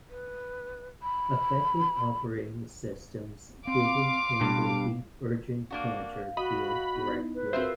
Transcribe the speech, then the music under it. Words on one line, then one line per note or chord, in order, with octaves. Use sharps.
Affected operating systems didn't handle the Urgent Pointer field correctly.
B4
B5
C4 F5 C6 D6
G2 B2
A#3 D4 F#4 F5
F#4 D#5 B5
B3 D#4 E4
B4
C4 F4 F#4 G#4 A#4 C5 E5